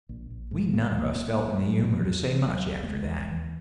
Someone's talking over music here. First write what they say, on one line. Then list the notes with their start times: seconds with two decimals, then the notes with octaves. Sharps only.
We none of us felt in the humour to say much after that.
0.09 A#1
0.30 A#1
0.51 G#2
0.73 A#2 A#3
0.86 G#3
0.94 B1 A#3
1.16 B1 A#3
1.38 A#2
1.59 A#2 F#3
1.81 B1
2.02 B1 F#3
2.12 E3
2.22 A#2 D#3
2.31 E3
2.45 D#2 F#3
2.66 E1
2.83 A#3
2.88 C#3 G#3
3.10 E1
3.31 D#2 E3